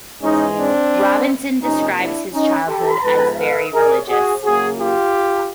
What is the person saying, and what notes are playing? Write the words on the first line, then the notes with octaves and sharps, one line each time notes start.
Robinson describes his childhood as very religious.
G#2 E3 G#3 C#4 D#4
C4 D4
C3 F3 A#3 C#4 D#4
D4 E4
C#4 D#4
G4 A4
G#2 F3 G#3 B3 A4 B4
A4 B4
G#4 A#4
F#4 G#4
C#3 F#3 A#3 F#4 G#4
F4 G4